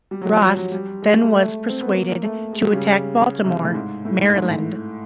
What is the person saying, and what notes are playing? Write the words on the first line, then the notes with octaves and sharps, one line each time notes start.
Ross then was persuaded to attack Baltimore, Maryland.
G3
F#3
F3
F#3
F#3
G3
G#3
A3
G#3
A3
C4
B3
A#3
A#3
A3
G#3
G3
C#3
C3
A2
G#2
A2
G#2
G#2
A2